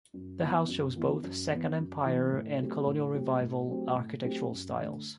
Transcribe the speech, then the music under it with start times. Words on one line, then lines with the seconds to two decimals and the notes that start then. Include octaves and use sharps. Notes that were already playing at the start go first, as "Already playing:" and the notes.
The house shows both Second Empire and Colonial Revival architectural styles.
0.14 F#2
0.41 E3 B3 E4
0.68 F#2
0.96 E3 B3 E4
1.23 F#2
1.50 E3 B3 E4
1.78 F#2
2.05 E3 B3 E4
2.32 A2
2.59 F#3 A3 C4 G4
2.86 A2
3.14 F#3 A3 C4 G4
3.40 A2
3.68 F#3 A3 C4 G4
3.94 A2
4.22 F#3 A3 C4 G4
4.50 F#2
4.77 D3 A3